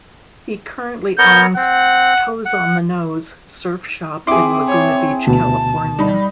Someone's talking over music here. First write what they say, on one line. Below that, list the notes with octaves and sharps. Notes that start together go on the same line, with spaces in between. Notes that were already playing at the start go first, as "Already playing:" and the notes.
He currently owns "Toes on the Nose" surf shop in Laguna Beach, California.
B3 A#4 C#5 G6
C4 F#5
F#5
C4 E4 G#4 C6 D6
C#5
D2 B2 A5
G3 D#4 B5